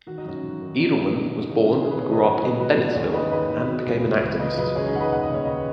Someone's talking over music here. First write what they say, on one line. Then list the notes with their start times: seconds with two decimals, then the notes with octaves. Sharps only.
Edelman was born and grew up in Bennettsville, and became an activist.
0.07 D#3 F#4
0.18 D#4
0.25 F#2 C#4 F#4
0.44 F#2
0.61 D#3
0.79 F#2 D#4
0.97 F#2 C#4
1.16 F#2 D#4
1.27 C#4 F#4
1.33 C#3
1.39 D#4
1.51 D#3 C#4 F#4
1.70 D#3
1.80 G#4
1.88 D#3 B4
1.99 G#4 C#5
2.06 D#3
2.11 B4 D#5
2.23 F#2 C#5 F#5
2.41 C#3 B4 D#5
2.59 F#2 F#4 B4
2.78 C#3
2.95 D#2 G#4 C#5
3.14 D#3 B4 D#5
3.31 D#2 B4 D#5
3.50 D#3
3.68 B2
3.86 C#2
4.04 C#2
4.22 C#2
4.39 C#3 B4 D#5
4.58 F#2 B4 D#5
4.75 F#2 G#4 C#5
4.87 D#4 G#4
4.94 C#3 F#5
5.00 B4 D#5
5.12 D#2 F#5
5.23 D#5
5.30 C#3 C#5
5.45 D#2 B4 D#5